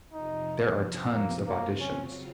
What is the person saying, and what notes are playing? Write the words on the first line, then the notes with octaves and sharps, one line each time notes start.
There are tons of auditions.
F2 C3 F3 D#4
A#3
C#3 F#3 A#3 C4 F4
C#4